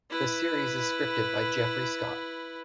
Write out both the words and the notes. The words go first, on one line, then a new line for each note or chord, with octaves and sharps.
The series is scripted by Jeffery Scott.
E4 B4